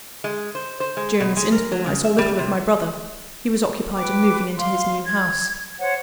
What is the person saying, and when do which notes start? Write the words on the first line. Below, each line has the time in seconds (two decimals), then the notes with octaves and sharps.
During this interval, I saw little of my brother; he was occupied in moving into his new house.
0.24 G#3
0.55 C5
0.80 C5
0.97 G#3
1.20 B2
1.37 G#3
1.52 A#4
1.72 F#3
1.86 C#3
2.05 E5
2.18 G3
2.39 C3
3.95 B4 G5 D6
4.57 F5 C6
5.06 G#6
5.79 C5 C#5 F#5